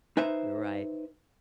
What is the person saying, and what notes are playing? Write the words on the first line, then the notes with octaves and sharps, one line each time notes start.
You're right,
D#4 B4 C5 E5